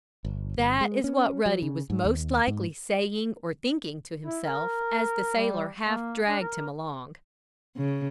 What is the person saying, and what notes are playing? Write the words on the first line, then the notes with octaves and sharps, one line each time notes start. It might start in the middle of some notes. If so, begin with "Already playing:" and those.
That is what Ruddy was most likely saying or thinking to himself as the sailor half dragged him along.
G1
G1
G#3
C#4
F#3
C#3
G#2
D#2
G#2
E4
A#4
G3
A#3
D4
A#4
C#3